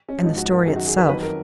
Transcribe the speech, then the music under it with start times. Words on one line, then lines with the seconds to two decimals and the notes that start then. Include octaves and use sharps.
And the story itself.
0.09 C#4
0.23 G#2 F3 D#4
0.37 F#4
0.52 A#4
0.66 F#2 D#3 F#3 G#4
0.76 F#4
0.87 G#4
0.98 B4
1.08 F2 D#3 F#3 B4
1.23 A#4